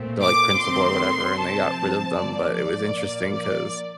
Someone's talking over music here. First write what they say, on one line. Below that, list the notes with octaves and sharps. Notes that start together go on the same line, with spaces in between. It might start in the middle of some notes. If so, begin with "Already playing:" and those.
the, like, principal or whatever, and they got rid of them, but it was interesting 'cause,
Already playing: A#2 A3 C4
D6
D#3 A3 C4 C6
C3 F3 C4 A5
A2 F3 A#3 D5
D5
A#2 F3 A#3
D5